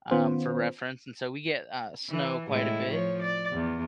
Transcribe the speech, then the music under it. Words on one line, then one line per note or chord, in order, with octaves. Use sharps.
um, for reference, and so, we get, uh, snow quite a bit,
D#3 B3 C#4 F4 C5
E3
A2 G#3 E4
F3 C#5
D5
E2